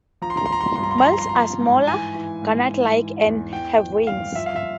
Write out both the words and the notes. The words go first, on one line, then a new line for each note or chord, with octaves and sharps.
Males are smaller, gnat-like and have wings.
F3 A#5
C6
A#5
C6
F3 A#5
C6
A#5
G2 C6
A#5
C6
A#5
F3 C6
A#5
C6
F3 A#5
G#2
E3 G#5
E3
G#2
E3
E3
E2
E3 G5
E3
G2 F5
F3 E5
F5
E5